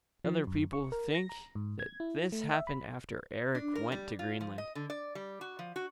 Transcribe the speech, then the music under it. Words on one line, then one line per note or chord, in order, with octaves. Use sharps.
Other people think that this happened after Eric went to Greenland.
F3
F#2
C#6
A#4
A#6
A#5
G#2
G#6
E4
A3
E5
B5
D4
A#4
G3
F4
F3
D#5
D3
D5
G3
F#4
F3
F#4